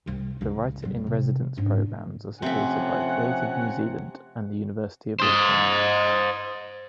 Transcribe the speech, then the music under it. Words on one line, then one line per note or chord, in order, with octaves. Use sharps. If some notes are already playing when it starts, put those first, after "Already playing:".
The writer-in-residence programmes are supported by Creative New Zealand and the University of Auckland.
C2 C3
C#2 C#3
D1 G3
C3
G#2 D4
C3 F3 A3 C#4 E5 F#5
C5 D#5